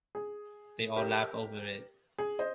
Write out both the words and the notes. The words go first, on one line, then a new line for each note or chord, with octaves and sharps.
They all laugh over it.
G#4
G4 A#4
G#4
C5 D#5